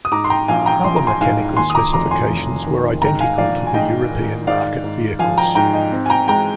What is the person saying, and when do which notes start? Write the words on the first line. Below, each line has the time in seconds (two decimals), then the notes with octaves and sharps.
Other mechanical specifications were identical to the European market vehicles.
0.05 D#6
0.12 G#2 A#5 D6
0.24 C6
0.30 G5 A#5
0.48 A#1 F5 G#5
0.66 G5 A#5
0.84 A#1 C6
0.96 A#5
1.07 G#5 C6
1.21 G#2 F5 G#5
1.57 D#2 G#5 C6
1.70 D#6
1.75 A#5 D6
1.93 F1 A#5 D6
2.11 G#5 C6
2.30 F1
2.66 D#3
3.02 G#2 G5 A#5
3.20 F5 G#5
3.38 A#1 D5 F5
3.67 G#5
3.74 G#2 D#5 G5
4.11 D#3
4.47 G#2 D5 F5
4.84 G#2
5.19 F3 F5 G#5
5.38 G5 A#5
5.55 G#2 G5 A#5
5.73 D#5 G5
5.92 C4
6.06 G#5
6.10 G5 A#5
6.28 G#3 G5 A#5